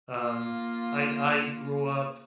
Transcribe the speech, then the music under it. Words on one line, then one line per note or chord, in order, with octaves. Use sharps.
um, I I grew up
A#3 F4